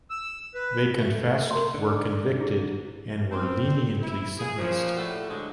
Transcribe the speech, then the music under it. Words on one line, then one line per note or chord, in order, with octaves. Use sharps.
They confessed, were convicted, and were leniently sentenced.
E6
B4
A3
A#4 A#5 C6
D3
E4 G#4
C4
E4
G#4
A#2 C#3 F3
A2 G3 A3 F#4 A4
D3 F#3 G#3